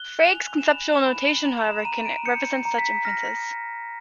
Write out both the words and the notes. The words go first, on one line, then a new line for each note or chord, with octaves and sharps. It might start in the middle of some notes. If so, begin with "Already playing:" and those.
Frege's "conceptual notation" however can represent such inferences.
Already playing: F#6 G7
G#5 F7
E7
B5 F7
E7
B5
F#7
A#5 F7
E7
A#5 D#7
D7
G6 C#7
A#5
B6
F6 A#6